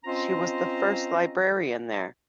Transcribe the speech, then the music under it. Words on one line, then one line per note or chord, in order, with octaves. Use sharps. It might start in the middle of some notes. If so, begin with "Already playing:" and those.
She was the first librarian there.
C4 C#4 F4 C5 D#5 A#5